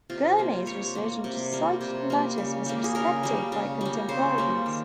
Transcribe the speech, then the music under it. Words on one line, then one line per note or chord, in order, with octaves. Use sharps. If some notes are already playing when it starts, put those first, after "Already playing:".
Gurney's research into psychic matters was respected by contemporaries.
C3 F4
G3 A#3
C3 C#5
G3 A#3
C3
G3 A#3
C3
G3 A#3
C#3
G3 A#3
G#4
C#3 A#4
G3 A#3
C#3
G3 A#3
C#3 C5
G3 A#3
D#3